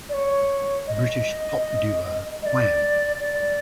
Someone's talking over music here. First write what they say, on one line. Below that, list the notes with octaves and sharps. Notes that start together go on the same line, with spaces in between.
British pop duo Wham!
D5
C#5
D#5
D#5
D5
D5